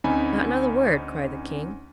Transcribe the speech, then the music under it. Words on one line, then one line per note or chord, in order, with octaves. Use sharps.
"Not another word!" cried the king.
D2 C4 C#4 D#4 G#5 B5